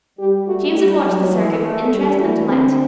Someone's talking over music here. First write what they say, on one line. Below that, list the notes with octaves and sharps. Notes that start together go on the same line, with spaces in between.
James had watched the circuit with interest and delight.
G3 G4
A3 F#4
G3 G4
F#3
E3
A3
G3
E3 F#4
D3 C4